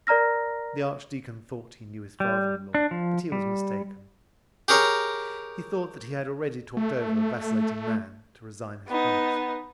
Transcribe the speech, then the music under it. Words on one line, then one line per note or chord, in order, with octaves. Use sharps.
The archdeacon thought he knew his father-in-law, but he was mistaken; he thought that he had already talked over a vacillating man to resign his promise.
A#4 D5 A#5 F6 A#6
G3
D4
F3
G3
G4 G#4 A#4 C#5 A#5
A3
B3 D#4